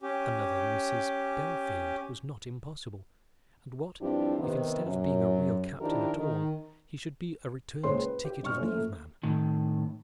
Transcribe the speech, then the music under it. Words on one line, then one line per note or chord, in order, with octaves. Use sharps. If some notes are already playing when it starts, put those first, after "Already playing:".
Another Mrs. Bellfield was not impossible; and what, if instead of being a real captain at all, he should be a returned ticket-of-leave man!
C#4 G4
G2 F3 C4 D4 E4 G4
C3 D#3 B3
F#2
D#3 F3 D4 E4 G4 A#4
D#3
C#2 A#2 G#3 C5 C#5 C6
B4
G4
G1 C#6 F6
F3 A3 C#4 C#5
A3 A#3
A2 D#3